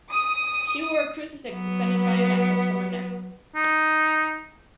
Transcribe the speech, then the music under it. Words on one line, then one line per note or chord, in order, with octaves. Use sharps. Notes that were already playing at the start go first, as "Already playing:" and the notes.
She wore a crucifix suspended by a necklace from her neck.
D#6
F#3 B3
D#4